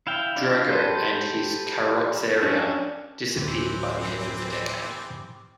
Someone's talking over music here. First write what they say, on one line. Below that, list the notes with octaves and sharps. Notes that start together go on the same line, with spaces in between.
Drogo and his Carrozzeria disappeared by the end of the decade.
E4 F5 G5
C4 D4 F4 G4
G4 A4 B4 C5
C#4 D4
D2 A2 E3 C4 G4